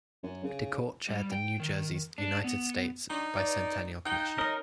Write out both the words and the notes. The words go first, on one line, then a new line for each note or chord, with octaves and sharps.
DeKorte chaired the New Jersey's United States Bicentennial Commission.
F#2
C#3
G3
G5
D#3
D4
B3
D4 D#4
D5
D#4 G5
C#4 A#4 D#5